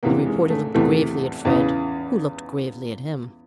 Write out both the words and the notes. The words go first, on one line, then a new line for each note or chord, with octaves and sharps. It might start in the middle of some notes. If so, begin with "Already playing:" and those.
The reporter looked gravely at Fred, who looked gravely at him.
E2 C3 E3 A#3
G#3
A3
E2 C3 E3 A3
E2 C#3 E3